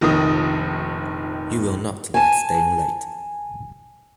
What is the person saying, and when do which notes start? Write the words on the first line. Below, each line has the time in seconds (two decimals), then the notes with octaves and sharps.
You will not like staying late.
0.01 F1 A#1 D#3 D#6
2.14 G#5 A5